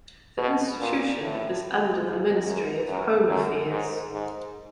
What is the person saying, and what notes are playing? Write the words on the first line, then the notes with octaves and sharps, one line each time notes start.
The institution is under the Ministry of Home Affairs.
B2
A#2
A2
G#2
F#2
F#2
F#2
G#2
G#2